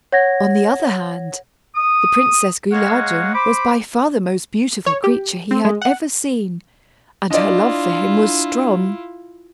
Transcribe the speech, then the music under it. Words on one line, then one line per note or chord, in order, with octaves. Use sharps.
On the other hand, the Princess Guilliadun was by far the most beautiful creature he had ever seen, and her love for him was strong.
C#5 F#5 G#6 A#6
D#6
G#3 A#3 C#5 F5 F#5
C5 B5 D6
C#5
G4
C4
G#3
F#5
D4 E4 F4 D5 D#5